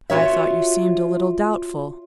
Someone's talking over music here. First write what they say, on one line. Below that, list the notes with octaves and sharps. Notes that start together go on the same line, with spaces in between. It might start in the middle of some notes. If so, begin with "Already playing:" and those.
'I thought you seemed a little doubtful.'
F4 F#4 C#5 E5